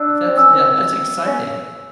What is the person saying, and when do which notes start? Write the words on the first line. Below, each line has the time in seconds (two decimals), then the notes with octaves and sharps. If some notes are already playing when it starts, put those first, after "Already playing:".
But that's, yeah, that's exciting.
Already playing: D4 E6 F#6
0.28 C4
0.37 C#4 E6
0.53 C4
1.26 C#4